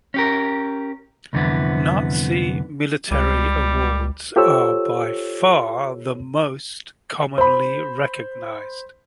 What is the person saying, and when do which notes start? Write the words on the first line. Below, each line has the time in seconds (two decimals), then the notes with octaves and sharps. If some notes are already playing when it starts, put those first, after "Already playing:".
Nazi military awards are by far the most commonly recognised.
0.14 C#4 G4 A#4
1.33 C2 F2 D3 E3 B3
3.11 C#2 G3
4.36 F4 G4 A4 C5 C#5 E6
7.38 C5 B5